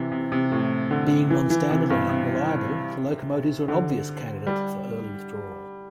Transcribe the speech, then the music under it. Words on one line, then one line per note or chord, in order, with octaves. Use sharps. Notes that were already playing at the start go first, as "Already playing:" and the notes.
Being non-standard and unreliable, the locomotives were an obvious candidate for early withdrawal.
Already playing: C3 E3
C3
C3
A2
D3
E3
E3
C3
G2
C3
D3
G3